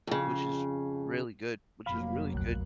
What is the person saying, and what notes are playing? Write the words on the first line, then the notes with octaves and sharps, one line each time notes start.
which is really good which is really good
F2 C#3
F1 F#3 A#3 F5 B5
A#1 D#2 F#6